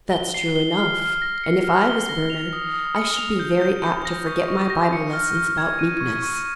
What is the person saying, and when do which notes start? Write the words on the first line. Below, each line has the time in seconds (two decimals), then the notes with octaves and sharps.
"That's true enough; and if I was Bernard, I should be very apt to forget my Bible lessons about meekness."
0.11 G7
0.34 C7
0.56 G7
0.77 F6
1.00 F6
1.22 A#6
1.44 C#7
1.64 F6
1.87 G7
2.09 A#6
2.30 F7
2.53 D#6
2.74 D#6
2.96 C#7
3.17 F7
3.40 G6
3.62 G6
3.84 G6
4.05 A#6
4.27 C#6
4.48 C#6
4.70 A#6
4.93 C#7
5.13 F6
5.35 F6
5.58 G#6
5.79 D#7
6.01 C#6
6.22 C#6